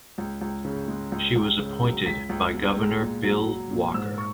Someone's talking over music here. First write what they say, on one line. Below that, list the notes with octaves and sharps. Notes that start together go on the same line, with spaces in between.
She was appointed by Governor Bill Walker.
C#2
C#2
C#3
G#3
C#2
C#2
C#3
F#3
C#2 B6
C#2
B2
G#3
A#2
F#3
F#3
A#2
G#2 E6
C#6